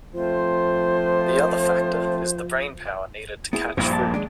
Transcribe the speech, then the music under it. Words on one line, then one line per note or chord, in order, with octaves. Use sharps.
The other factor is the brain power needed to catch food.
F3 A3 C4 F4 C5
B3 E4 G#4
A#1 G2 A#2 E4 C5
A5
D#2 G#3 D4